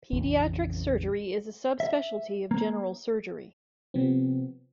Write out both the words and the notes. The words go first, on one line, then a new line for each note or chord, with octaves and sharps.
Pediatric surgery is a subspecialty of general surgery.
A#1 F2 C#3 E3
E5
A#3
C3 F3 B3 C4